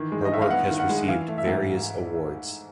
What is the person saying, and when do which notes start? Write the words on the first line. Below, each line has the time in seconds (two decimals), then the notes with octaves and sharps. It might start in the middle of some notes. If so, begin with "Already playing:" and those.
Her work has received various awards.
Already playing: D#3 E3
0.12 G#3
0.25 D#5
0.32 G2 E5
0.42 F5
0.50 B3 F#5
0.70 D#3
0.80 F#5
0.89 G#3
1.08 E3 F5
1.28 A3
1.38 E5
1.47 G#2